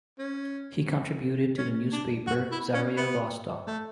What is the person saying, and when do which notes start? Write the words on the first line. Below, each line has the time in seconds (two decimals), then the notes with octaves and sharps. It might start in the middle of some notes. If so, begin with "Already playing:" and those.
He contributed to the newspaper "Zaria Vostok".
0.19 C#4
1.58 C#4
1.92 D4
2.27 F#4
2.51 E4
2.74 C#4
2.97 B3
3.67 A3